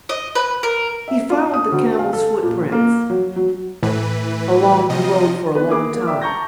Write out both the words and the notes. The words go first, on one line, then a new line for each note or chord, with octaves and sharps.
He followed the camel's footprints along the road for a long time.
D#5
B4
A#4
E5
F4
D#6
D2
F5
A4
A#2
A#3
F#3
F#3
A2 E3 B4
C3 F3 D#5
B3 D4 B4
A#3 G#4 D6
A#3
D5 E5 G5 D6
A5 A#5 C#6 G6 A#6